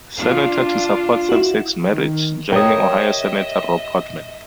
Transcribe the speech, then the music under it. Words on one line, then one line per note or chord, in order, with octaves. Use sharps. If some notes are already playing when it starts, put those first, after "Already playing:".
Senator to support same-sex marriage, joining Ohio Senator Rob Portman.
D4 F4
E4 F#4
D#3
G4 A#4 C#5 D#5 E5 G5 D#6